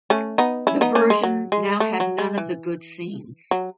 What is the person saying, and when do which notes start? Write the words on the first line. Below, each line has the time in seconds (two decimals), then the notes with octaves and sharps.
The version now had none of the good scenes.
0.10 A3 C#4
0.38 B3 D#4
0.67 C#4 E4
0.81 B3 D#4
0.95 A3 C#4
1.10 G#3
1.23 F#3
1.52 G#3
1.80 A3
2.00 F#3
2.19 G#3
2.38 E3
3.51 F#3